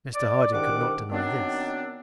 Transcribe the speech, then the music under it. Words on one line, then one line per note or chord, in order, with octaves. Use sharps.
Mr Harding could not deny this.
D5
C2 G#2 D#3 D4 F#5 D6
D#3 F#3 B3 C4 D4